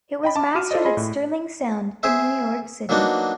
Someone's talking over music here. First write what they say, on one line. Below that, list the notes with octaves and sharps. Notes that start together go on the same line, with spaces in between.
It was mastered at Sterling Sound in New York City.
D#5 G5 B5
A5 D6
F#4 D6 F6 D#7 E7
F4 A4 C5 D5 D#5
G#4 D#5 B5 C6
A2
G#4 C5 E5
F#3 A#3 B3 D4 D#4 F#4